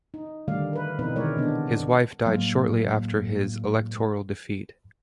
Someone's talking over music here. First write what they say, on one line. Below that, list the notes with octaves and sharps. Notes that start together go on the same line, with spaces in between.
His wife died shortly after his electoral defeat.
D#4
D3 D#3 G3 A3 D5 F5
A#4 B4
B2 E3 C4 D#4 B4
D3 D#3 G#3 A#4 C#5 D5
C3 B3 D4
A2 F#3 G#3 A#3